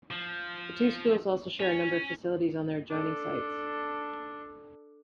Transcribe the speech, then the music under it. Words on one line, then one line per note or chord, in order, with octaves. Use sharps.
The two schools also share a number of facilities on their adjoining sites.
F3
C#4
D4 A4